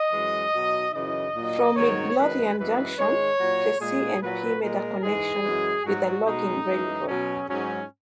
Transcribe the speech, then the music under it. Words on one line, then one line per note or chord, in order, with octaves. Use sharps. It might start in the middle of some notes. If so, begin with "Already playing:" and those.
From Midlothian Junction, the C and P made a connection with a logging railroad.
Already playing: D#5
F#2 E3 G#3
B2 F#3
F#2 C#3 E3 D#5
A#2 F#3
G#2 D#3 F#3 C#5
F#2 D#3 G#3 B4
F#2 E3 G#3 B4
G#2 D#3 G#3 C#5
A#2 F#3
A#2 G#3 G#4
A#2 F#3 B4
A#2 G#3 A#4
G#2 E3 G#3 G#4
F#2 E3 G#3
G#2 F#3 F#4
B2 G#3 D#4
F#2 E3 G#3
B2 F#3 C#4
G#2 F#3 C#4